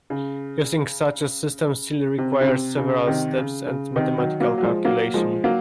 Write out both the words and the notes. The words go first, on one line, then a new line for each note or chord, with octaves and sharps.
Using such a system still required several steps and mathematical calculation.
C#3
C3
C#3
C3
C#3
C3 D#3
C#3
C#3
C3 D#3
D#3 F#3
F#3 A#3
F#3
F3 G#3
F#3 A#3
F3 G#3
F#3 A#3